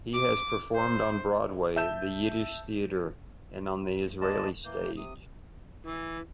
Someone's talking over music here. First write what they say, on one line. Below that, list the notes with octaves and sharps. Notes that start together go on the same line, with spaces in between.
He has performed on Broadway, the Yiddish theater, and on the Israeli stage.
D6
C5
E5 A5 G6 E7
G#3 A#3 D5 D#5 A5
E3 A#3 G6
C3 D#6
E3